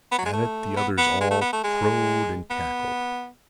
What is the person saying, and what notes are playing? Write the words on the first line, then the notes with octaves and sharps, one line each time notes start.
At it the others all crowed and cackled.
B3
F#3
G#3
A3
B3
B3
G#3
A3
B3
A3
G#3
B3